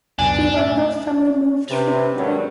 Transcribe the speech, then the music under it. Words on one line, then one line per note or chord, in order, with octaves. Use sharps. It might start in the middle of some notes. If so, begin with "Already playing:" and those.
The Randolph family moved frequently.
C#2 F#2 B2 D4 G#5
A2 E5
C3 B4
G#1 G2 F#3